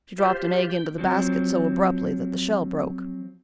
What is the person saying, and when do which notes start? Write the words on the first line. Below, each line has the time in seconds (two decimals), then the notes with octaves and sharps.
She dropped an egg into the basket so abruptly that the shell broke.
0.18 F4 G4 C5
0.70 G5
0.98 F3 F#3 C4